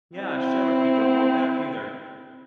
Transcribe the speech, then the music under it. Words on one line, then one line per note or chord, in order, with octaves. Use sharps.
yeah, share with me. Don't hold back either.
C4 E4